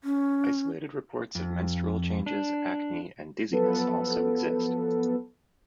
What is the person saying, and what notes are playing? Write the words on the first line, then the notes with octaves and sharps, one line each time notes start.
Isolated reports of menstrual changes, acne, and dizziness also exist.
C#4
F2
D4
F3 F#3 B3 A4 B4